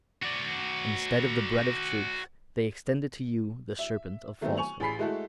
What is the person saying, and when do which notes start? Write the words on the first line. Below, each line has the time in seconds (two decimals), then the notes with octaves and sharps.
Instead of the bread of truth, they extended to you the serpent of falsehood.
0.23 F#4 D5
3.79 E5
4.41 D#3 F#3 A3 B3 C4
4.57 G#5 C#6 F7 F#7
4.80 A1 G#4 G#5 B5 B6 C7
4.99 G#3 A3 E4 F#4 G#4 A4